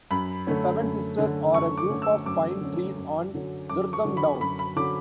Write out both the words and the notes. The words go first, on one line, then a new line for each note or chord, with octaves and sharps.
The "Seven Sisters" are a group of pine trees on Durdham Down.
F#2 B5
D3 A3 C#4
F#2
D3 A3 C#4
F#2 C#6
D6
D3 A3 C#4
E6
F#2 D6
D3 A3 C#4
F#2
D3 F#3 C#4
F#2 D6
C#6
D3 F#3 C#4
B5
F#2 B5
B5
D3 F#3 C#4 D6